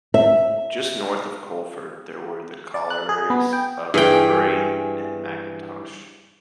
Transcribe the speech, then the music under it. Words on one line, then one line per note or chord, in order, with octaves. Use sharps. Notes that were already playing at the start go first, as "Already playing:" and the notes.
Just north of Coleford there were the collieries of Newbury and Mackintosh.
E5
D5
F#6
G#4
B3
G5
G2 E3 G#4 G5